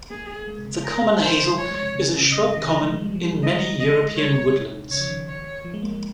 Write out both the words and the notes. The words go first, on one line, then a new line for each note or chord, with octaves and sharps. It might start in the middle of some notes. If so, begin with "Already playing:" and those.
The common hazel is a shrub common in many European woodlands.
A#3 G#4
G#3
C3
C#3
C3 A#4
C3
C3 C5
D#3
F3
G3
F3 C#5
G#3
C3
C#3
C#3
C3 D#5
C3
D#3
F3
G#3
G#3
G3
F3
G3
G#3
F3 D#5
D#3
F3
G3
D#5
G#3
G3 C#5
C3
C#3 C#5
F3
D#3
C#5
F3
G#3
A#3
G#3